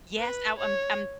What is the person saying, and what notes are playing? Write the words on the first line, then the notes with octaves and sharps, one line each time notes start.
Yes, I I'm I'm
B4
C#5